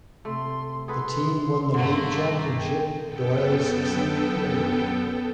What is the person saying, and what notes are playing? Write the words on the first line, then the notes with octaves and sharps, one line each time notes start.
The team won the league championship Doyle's senior year.
C3 A3 C6
G#4 A4 B4 C6
G2 D3 A3 A#3
G#4 G5
F#2 B3 A4 G5